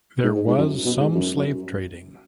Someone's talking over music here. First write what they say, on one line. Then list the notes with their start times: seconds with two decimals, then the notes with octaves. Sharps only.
There was some slave trading.
0.24 G#2
0.36 G#2
0.48 G#2
0.58 F#2
0.86 B2
1.00 G#2
1.15 F#2
1.37 F#2